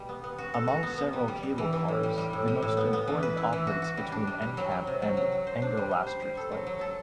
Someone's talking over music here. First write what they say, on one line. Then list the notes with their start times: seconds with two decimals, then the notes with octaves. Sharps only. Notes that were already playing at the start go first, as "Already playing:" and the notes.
Among several cable cars, the most important operates between Encamp and Engolasters Lake.
Already playing: B2 G3
0.09 B3
0.24 B3
0.38 F#4
0.54 A4
0.68 F#4
0.83 B3
0.98 B3
1.13 G3
1.28 G3
1.43 G3
1.58 E3
1.73 E3
1.88 A2
2.03 G3
2.18 G3
2.33 A2
2.48 G3
2.62 A2
2.77 B3
2.93 B3
3.08 E3
3.23 B4
3.37 E4
3.53 E3
3.67 F#4
3.82 F#4
3.97 G3
4.12 D4
4.27 G3
4.42 G3
4.57 F#3
4.71 F#3
4.87 C3
5.02 F#3
5.17 F#3
5.32 F#3
5.47 C5
5.62 D4
5.77 G3
5.91 G3
6.07 C5
6.22 G3
6.37 A4
6.51 F#3
6.67 F#3
6.81 A4